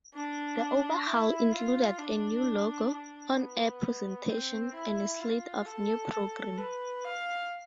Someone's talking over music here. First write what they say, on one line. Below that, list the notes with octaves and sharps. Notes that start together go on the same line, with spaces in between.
The overhaul included a new logo, on-air presentation, and a slate of new programming.
D4
E4
F4
D4
D4
B3
C4
E4
F4
A4
A4
B4
F5